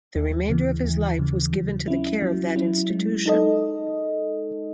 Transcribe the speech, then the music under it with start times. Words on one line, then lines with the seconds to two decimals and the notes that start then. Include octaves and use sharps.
The remainder of his life was given to the care of that institution.
0.15 D#2
0.49 C#3 E3
0.85 D#2
1.19 C#3 E3
1.53 F#3
1.88 C#4 E4
2.22 F#3
2.56 C#4 E4
2.91 G#3
3.26 D#4 A4 D#5